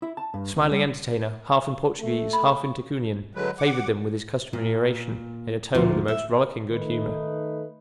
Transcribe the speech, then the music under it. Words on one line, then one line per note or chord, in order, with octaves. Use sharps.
The smiling entertainer, half in Portuguese, half in Ticunian, favored them with his customary oration in a tone of the most rollicking good humor.
E4
A5
G2
C#2
G3
A3
B5
D3 F#3 G#3 B4
F#5 D6
A#2
D2 A#2 F3
E5
D#3 A3 D#4 B4